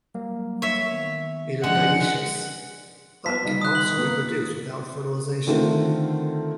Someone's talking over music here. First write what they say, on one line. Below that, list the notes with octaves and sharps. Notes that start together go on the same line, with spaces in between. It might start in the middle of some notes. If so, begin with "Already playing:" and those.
It is dioecious, but can also reproduce without fertilisation.
F#3 G3 A#3
C#5 E5
D#3 B3
D3 F3 G#3 C#4 F#5
B3 A5 B6
B2 D#3 G3
D#6 F#6
F#7
A#3 B3
D3 D#3 A3 C4 F4 A#4